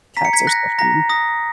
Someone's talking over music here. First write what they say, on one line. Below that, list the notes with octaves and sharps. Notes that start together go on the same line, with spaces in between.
Cats are so funny.
A#5 B6
C#7
G#6 B6
F#6 A#6
A#5 A#6
D#6 A#6